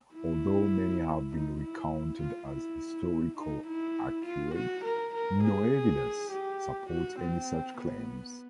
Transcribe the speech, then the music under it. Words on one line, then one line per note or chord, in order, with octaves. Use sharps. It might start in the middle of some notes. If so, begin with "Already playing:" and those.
Although many have been recounted as historical accurate, no evidence supports any such claims.
E4
D#4
E4
F4
E4
D#4
E4
F4
F#4
A#4
A#4
G#4
G4
F#4
C4
B3